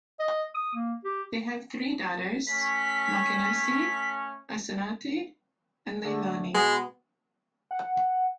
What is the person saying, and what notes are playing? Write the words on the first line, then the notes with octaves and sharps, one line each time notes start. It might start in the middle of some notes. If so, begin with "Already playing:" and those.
They have three daughters - Makenesi, Asinate and Leilani.
D#5
D#6
A#3
G4
A3 C#4 B6
D3 A3
B2 G#3 B3
F#5